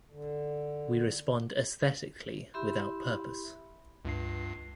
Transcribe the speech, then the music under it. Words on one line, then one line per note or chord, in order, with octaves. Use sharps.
We respond aesthetically, without purpose.
D3
E4 G4 E5 B5 C6
C#2 G2 C7